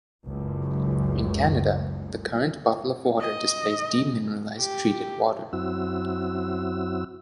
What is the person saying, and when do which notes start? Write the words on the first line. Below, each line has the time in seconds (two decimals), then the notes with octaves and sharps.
In Canada, the current bottle of water displays "Demineralized Treated Water".
0.25 F#1 C#2 F#2
3.20 D#5
4.59 G4
5.53 F#2 F#3 C4 E4 F#4 E6